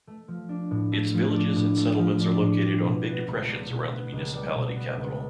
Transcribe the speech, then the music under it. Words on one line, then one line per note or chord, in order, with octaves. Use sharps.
Its villages and settlements are located on big depressions around the municipality capital.
A3
F3
D4
A2
A3
F3
D4
A2
A3
F3
D4
A2
G3
B2
B3
C#2
G3
B2
B3
C#2
G3
B2
B3
C#2